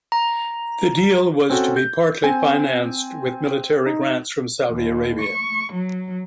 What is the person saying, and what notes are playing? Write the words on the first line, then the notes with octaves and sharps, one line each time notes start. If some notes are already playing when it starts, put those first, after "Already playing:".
The deal was to be partly financed with military grants from Saudi Arabia.
A#5
C4 C#4 F#4 A4
G6
C4 G#5
D#4
D#2
C#6
F#3